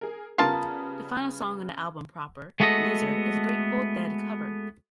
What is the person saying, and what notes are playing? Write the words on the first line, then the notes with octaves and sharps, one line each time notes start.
The final song on the album proper, "Loser" is a Grateful Dead cover.
G#4 A#4
C#3 G3 B3 F4 A#4 A5
G#3 A3 B3 F#4 A4 D#5